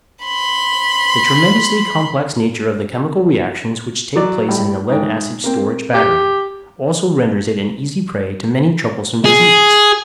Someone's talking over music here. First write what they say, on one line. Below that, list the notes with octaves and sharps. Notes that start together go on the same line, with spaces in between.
The tremendously complex nature of the chemical reactions which take place in the lead-acid storage battery also renders it an easy prey to many troublesome diseases.
B5 C6
F#3 D5
A2 G3
G#2 G5
A#3 C4
G4
G#4